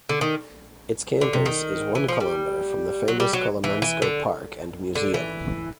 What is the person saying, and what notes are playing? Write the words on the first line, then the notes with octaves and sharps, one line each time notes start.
Its campus is one kilometre from the famous Kolomenskoe park and museum.
D3
D#3
D3
C3
D#3
E3
F3
G3
F#3
G3
F#3
E3
E3
D3
D3
E3